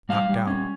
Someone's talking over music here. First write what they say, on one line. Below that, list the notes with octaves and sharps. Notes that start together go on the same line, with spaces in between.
Knocked out.
G3 F5
G3
C#4